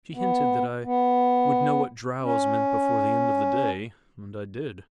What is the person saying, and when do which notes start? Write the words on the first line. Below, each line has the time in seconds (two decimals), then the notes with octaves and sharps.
She hinted that I would know what drows meant before the end of the day, and I did.
0.14 B3
0.84 B3
2.23 C#4